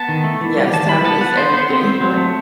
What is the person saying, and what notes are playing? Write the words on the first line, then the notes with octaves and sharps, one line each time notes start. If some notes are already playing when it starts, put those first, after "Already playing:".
Yes, timing is everything, like
Already playing: B3 A5
D#3
A3
E3
G3
D#3 A5
G3 B5
B3 A5
B3 F#5
B3 C5
B3 C5
C4
C4
F#3
A3